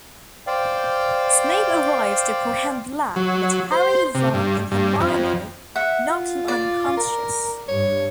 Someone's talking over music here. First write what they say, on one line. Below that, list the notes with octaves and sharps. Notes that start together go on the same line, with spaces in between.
Snape arrives to apprehend Black but Harry, Ron, and Hermine knock him unconscious.
C5 D5 F5 G5
F#3
C5
C3
G2
G2
F2
E5 F#5
F4
D5
A#4
G2 C#5